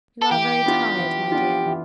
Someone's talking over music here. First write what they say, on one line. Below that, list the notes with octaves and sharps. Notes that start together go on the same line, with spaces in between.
You are very tired, my dear.'
A4
E3 G4
B3 D4 F4
E3
B3 D4 F4
E3